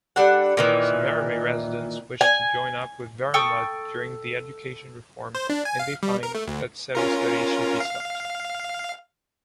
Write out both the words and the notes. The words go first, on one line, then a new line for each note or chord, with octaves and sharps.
Some Meremäe residents wish to join up with Võrumaa during the education reform and they find that Seto studies should be stopped.
G3 D4 A4 F#5
A#2 D#3 E3
G#5
A4 G5 C#6 D#6
C5
D4
G#5
F5
G3
A#4
A3
D2
C#4 F4 A#4
F5